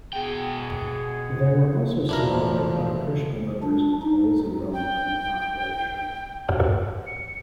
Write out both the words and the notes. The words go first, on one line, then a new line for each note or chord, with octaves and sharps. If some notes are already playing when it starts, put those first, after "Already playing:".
There were also smaller but appreciable numbers of Poles and Roma in the population.
B2 G#4 F#5 G5
E2 G#2 B2 F3 D4 E4 A#4
D4
D#4
G5
C#7